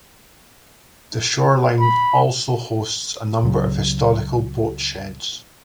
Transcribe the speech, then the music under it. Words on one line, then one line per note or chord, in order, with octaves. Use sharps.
The shoreline also hosts a number of historical boat sheds.
B5
C#2 C#3 F#3